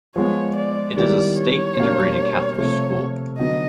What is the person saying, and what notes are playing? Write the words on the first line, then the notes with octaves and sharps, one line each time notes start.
It is a state integrated Catholic school.
F3 G#3 B3 C#5
D5
D#3 G3 B3 E4 D5
C#5
B2 G3 A#3 D4
C3 F3 A3 C#5
D3 F#3 B3 D#4 D#5